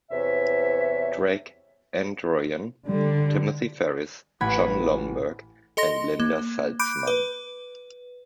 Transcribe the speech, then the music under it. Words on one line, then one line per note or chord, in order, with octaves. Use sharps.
Drake, Ann Druyan, Timothy Ferris, Jon Lomberg, and Linda Salzman.
E2 C3 C#5 E5
D3 G3
A1 F#5 B5 G#6
A4 D#5 C6 A#6
A#3
B5 D6 F#6 G6 D7
B4